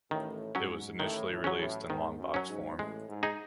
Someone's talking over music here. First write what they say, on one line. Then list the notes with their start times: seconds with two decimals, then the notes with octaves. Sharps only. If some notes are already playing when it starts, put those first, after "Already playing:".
It was initially released in longbox form.
0.11 A1 A2 D#3
0.55 G#2 F#3 C#4
1.00 A1 A2 D#3
1.30 A1 A2
1.44 F#3 C#4
1.59 A1 A2
1.89 G#2 D#3
2.19 F#2
2.34 F#3 C#4
2.49 G#2
2.78 A1 A2 G#3
3.09 G#2
3.23 D#4 G#4 D#5